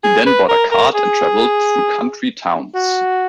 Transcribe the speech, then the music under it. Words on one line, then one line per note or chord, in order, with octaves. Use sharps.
He then bought a cart and travelled through country towns.
G#4
B4
A#4
A#4
G#4
F#4